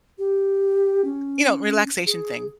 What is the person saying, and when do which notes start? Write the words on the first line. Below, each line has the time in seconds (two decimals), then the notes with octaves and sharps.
you know, relaxation thing.
0.19 G4
1.05 C#4
2.07 G#4